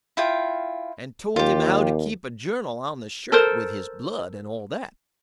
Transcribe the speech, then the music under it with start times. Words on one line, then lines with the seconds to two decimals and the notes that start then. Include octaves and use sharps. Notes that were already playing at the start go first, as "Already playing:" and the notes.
And told him how to keep a journal on the shirt with his blood, and all that.
0.17 E4 F4 G5
1.36 D#2 F4 G4
3.32 A4 A#4 C5